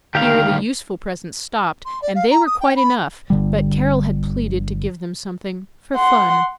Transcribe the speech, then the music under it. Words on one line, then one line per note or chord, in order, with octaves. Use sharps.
Here the useful presents stopped, and they were quite enough; but Carol had pleaded to give them something "for fun."
D2 D#3 G4 F5
C6
D5
F5
A#5
D#6
G5
B5
G1 D3 G3
F#5 C6